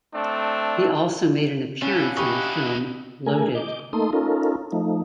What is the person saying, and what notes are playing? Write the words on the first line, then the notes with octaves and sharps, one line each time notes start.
He also made an appearance in the film "Loaded".
A3 C4 D4
C#4 D4 E4 F5 F#5 A5
D#4 E4 G4 B5 C#6
A3 G#4 A#4 G#5
D#5 D6 G6
A3 A#3 D#4 A4 C6 D#6
C#4 D#4 F4 A4 A#4
F3 A3 D#4